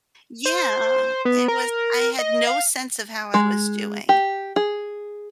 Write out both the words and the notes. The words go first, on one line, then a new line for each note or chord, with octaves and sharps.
Yeah. It was I had no sense of how I was doing.
C5
B3
A#4
D#5
F5
G#3
G4
G#4